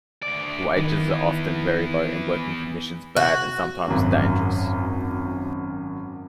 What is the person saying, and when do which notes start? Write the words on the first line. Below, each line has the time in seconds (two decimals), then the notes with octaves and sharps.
Wages are often very low and working conditions bad and sometimes dangerous.
0.22 D2 D5
0.77 D#3 E3 B3
3.16 F#4
3.88 G#1 F#2